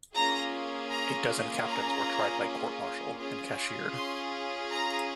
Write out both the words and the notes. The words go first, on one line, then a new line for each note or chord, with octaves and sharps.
A dozen captains were tried by court-martial and cashiered.
A#3 C#4 F4 G#4 A#5
A#5
A#5
C#4 F4 G#4
C6
A#5